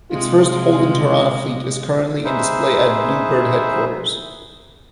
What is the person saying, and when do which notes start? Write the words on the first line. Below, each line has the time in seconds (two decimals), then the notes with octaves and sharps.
Its first Holden Torana fleet is currently in display at Blue Bird headquarters.
0.11 C3 G#3 F4
2.25 D#4 G#4 B4 C5 E5